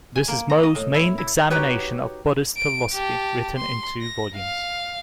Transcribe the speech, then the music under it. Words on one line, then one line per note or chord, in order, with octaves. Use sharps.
This is Mou's main examination of Buddhist philosophy, written in two volumes.
G#5
A#3
A#5
D#5
A2
E4
E4
D#4 F#4 G4 B4 C#5
D7
G4 A5
C6
A#6
F5